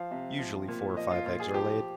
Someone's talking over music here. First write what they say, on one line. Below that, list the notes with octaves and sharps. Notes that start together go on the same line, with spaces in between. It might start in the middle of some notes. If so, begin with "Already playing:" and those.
Usually, four or five eggs are laid.
Already playing: F3 F5
C3
F3
A#2
F3 D#5
F4
A#2 F4
G#4
F3 G4